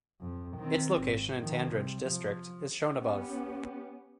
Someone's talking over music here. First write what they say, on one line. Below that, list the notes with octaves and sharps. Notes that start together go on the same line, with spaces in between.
Its location in Tandridge District is shown above.
F2
D#3 C4
G#1
D#3 F3
C3 G3
F3
B3 C#4 G4